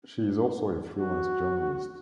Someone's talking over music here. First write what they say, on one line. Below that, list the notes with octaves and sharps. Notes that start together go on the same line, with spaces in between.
She is also a freelance journalist.
F#4